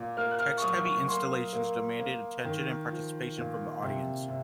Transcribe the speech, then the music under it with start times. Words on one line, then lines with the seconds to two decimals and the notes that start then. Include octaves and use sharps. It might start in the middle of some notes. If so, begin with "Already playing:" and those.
Text-heavy Installations demanded attention and participation from the audience.
Already playing: A#2
0.17 A#3 F6
0.31 F#6
0.39 F6
0.57 C#6
0.62 F#3 D#6
0.85 C#6
1.08 A#3 C6
1.53 A#3
1.99 A#3
2.44 D#3
2.91 F3
3.37 A#2
3.82 C3
4.28 C3